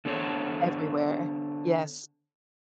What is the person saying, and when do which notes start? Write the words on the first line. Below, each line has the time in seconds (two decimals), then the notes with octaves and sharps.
Everywhere. Yes.
0.05 D3 B3 A4 C5 C#5